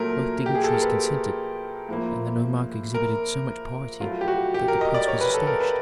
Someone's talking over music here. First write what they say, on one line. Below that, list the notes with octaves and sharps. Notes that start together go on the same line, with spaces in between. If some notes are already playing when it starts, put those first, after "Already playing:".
Both dignitaries consented, and the nomarch exhibited so much piety that the prince was astonished.
Already playing: A#2 F#3 A3 A#4
G4
G#4
A4
A#4
B4
A2 F3 A#3
A#4
A2 F#3 A3 F4
G4
F#4
G4
A#4
D#5
D5
C#5
B4
A4
A#4
B4